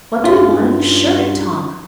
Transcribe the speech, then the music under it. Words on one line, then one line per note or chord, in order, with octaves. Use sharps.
"What do we want of a shirt, Tom?"
G2 C#4 D#4 F4 F#4 G#4 E5